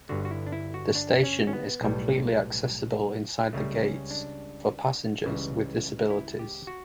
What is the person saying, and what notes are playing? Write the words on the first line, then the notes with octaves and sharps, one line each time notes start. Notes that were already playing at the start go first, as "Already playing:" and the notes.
The station is completely accessible inside the gates for passengers with disabilities.
G1 G2 D3 F#4
F#4
E4
D4
E4
F#4
D4
C#4
C#4
B3
B1 A2 G3
C#2 C#3 G3 A3
C#4
D4
C#2 C#3 E3 G3
E4
G4
F#4